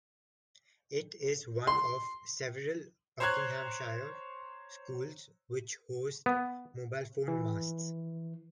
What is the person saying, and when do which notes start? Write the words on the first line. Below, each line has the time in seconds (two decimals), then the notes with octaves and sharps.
It is one of several Buckinghamshire schools which host mobile phone masts.
1.67 C6
3.20 C5 C#5 A#5 C6 F#6 G#6
6.26 B3
7.28 E3